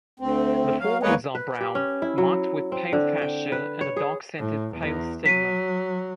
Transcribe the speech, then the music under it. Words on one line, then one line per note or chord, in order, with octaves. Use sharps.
The forewings are brown, marked with pale fascia and a dark-centred pale stigma.
D2 C4
F#3 F5
E2 G#3 A#3 B4 C#5 D#5
B4
G4
C#4
E4
F#3
C4
D3
G5
B4
C#5
G#4
A2
E2
F#3 B6 D#7